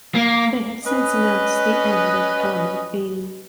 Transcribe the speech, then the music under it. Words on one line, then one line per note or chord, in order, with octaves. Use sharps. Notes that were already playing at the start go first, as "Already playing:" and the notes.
They have since announced the end of Element Eighty.
A#3
C#4 B4 D#5